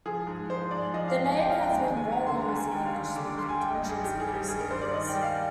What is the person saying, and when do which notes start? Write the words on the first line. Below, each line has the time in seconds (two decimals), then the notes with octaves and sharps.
The name has been rarely used in English-speaking countries in recent years.
0.06 F3 G#4
0.27 G#2
0.49 F3 C5
0.71 G#2 D5
0.94 F3 D#5
1.08 F5
1.17 G#2
1.24 G#5
1.37 F3 G5
1.50 F5
1.61 G#2 G5
1.82 D#2 G#5
1.97 G#5
2.05 D#2
2.12 A#5
2.27 D3 C6
2.42 A#5
2.49 G3
2.56 G#5
2.71 D#2 G5
2.85 F5
2.93 D#2
3.15 D3 D6
3.27 D6
3.38 G3 C6
3.49 G#5
3.59 G2 G5
3.75 D#5
3.83 G2
3.89 G#4
4.04 D#3 G4
4.20 G#4
4.27 G3
4.34 G4
4.48 G2 G#4
4.60 A#4
4.71 G2 C5
4.82 D5
4.93 D#3 D#5
5.08 G5
5.15 G3
5.23 F5